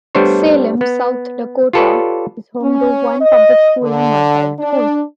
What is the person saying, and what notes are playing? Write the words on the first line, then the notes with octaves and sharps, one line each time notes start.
Salem, South Dakota is home to one public school and one private school.
G3 A3 B3 D4 C5 C#5
B3
F4 G4 A4 B4 C#5 D5
C#4
D#5
D3
D4